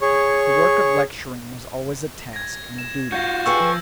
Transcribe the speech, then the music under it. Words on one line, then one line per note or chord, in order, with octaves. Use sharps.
The work of lecturing was always a task and a duty.
G#4 C#5 C#6
G#6 A#6
E7
F4 F#4 G6 A#6
G#4 B4 G5 C#6 E6
F3